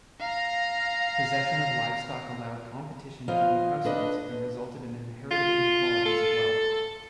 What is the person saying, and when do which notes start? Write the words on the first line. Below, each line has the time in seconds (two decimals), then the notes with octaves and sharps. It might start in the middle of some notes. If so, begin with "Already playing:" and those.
Possession of livestock allowed competition between households and resulted in inherited inequalities of wealth.
0.20 F5 A#5
3.28 F3 B3 F4 D#5 F5
3.84 D4 B4 D#5
5.31 F4
6.06 A4